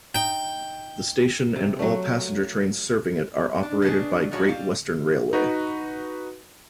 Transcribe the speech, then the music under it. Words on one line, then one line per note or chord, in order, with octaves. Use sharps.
The station and all passenger trains serving it are operated by Great Western Railway.
D#4 G5
C3
F#3 A3
D4
C#3 B3 D4 G#4
F3 F#3 G#3 F#4 C#5
G3 F5
D#4 F#4 B4